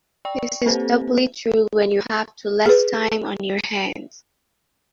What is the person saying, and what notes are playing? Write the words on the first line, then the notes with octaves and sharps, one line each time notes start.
This is doubly true when you have to less time on your hands.
D5 G5 C#6
A#3 C4 G4 A4 B4 C5
G#4 B4